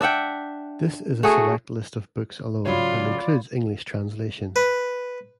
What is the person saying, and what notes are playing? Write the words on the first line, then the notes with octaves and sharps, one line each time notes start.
This is a select list of books alone and includes English translations.
D4 E5 F#5 G5
A3 F#4 G#4
G#2 C#3 F#3 F4 C#5 D5 B5
B4